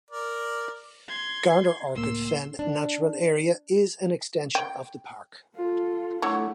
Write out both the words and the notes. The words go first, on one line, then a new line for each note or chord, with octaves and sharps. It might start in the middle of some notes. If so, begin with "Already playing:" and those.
"Garner Orchid Fen Natural Area" is an extension of the park.
A#4 D5
C6 G#6
C#2 A2 A#3 C6 E6
D4
G5
F4 A4
D3 F#3 A3 E4